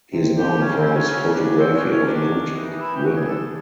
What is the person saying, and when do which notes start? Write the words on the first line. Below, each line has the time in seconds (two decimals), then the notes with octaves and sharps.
He is known for his photography of nude women.
0.13 C3
0.38 G4
0.61 C#3 C#4
0.78 C4
0.94 C#4
1.09 C#4
1.35 D4
1.59 C4
1.74 C#4
1.85 D4
1.91 C#4
2.07 D#3 D4
2.56 E3 D#4
2.79 E4
2.96 G4
3.04 F#4
3.16 G#4
3.28 A4